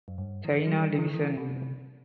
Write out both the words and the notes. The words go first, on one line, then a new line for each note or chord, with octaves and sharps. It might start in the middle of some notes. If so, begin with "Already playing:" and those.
China division.
F#2
G2
E3
F#3
G3
E3
D3
E3
C3